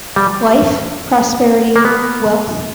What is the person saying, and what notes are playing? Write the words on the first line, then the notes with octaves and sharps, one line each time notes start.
Life, Prosperity, Wealth.
G3
A#3
B3